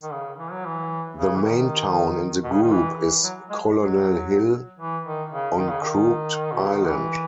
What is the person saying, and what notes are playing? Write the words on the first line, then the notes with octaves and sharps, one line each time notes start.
The main town in the group is Colonel Hill on Crooked Island.
D#3
C#3
E3
F#3
E3
C#3
E3
D#3
B2
C#3
D#3
E3
E3
F#3
G#3
F#3
E3
D#3
C#3
D#3
C#3
D#3
B2
C#3
D#3
E3